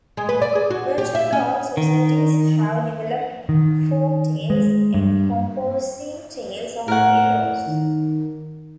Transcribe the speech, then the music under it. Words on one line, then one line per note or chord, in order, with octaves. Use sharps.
Virtually all societies have developed folk tales encompassing tales of heroes.
G#3
B4
D5
G#4
F#4
G4
E5
C#4
D#3
D#3
G#3
G2
A2 A#4 C#5 F#5
D#3